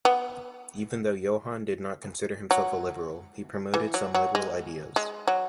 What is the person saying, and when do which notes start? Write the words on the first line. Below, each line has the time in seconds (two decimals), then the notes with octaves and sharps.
Even though Johann did not consider himself a liberal, he promoted some liberal ideas.
0.05 B3
2.51 F#3
3.74 E3
3.94 F#3
4.14 F#3
4.35 G#3
4.96 G#3
5.28 F#3